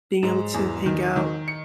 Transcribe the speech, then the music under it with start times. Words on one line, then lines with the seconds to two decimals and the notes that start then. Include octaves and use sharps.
being able to hang out.
0.23 G#2
0.54 E2
0.86 D#3
1.16 D#3
1.48 C#7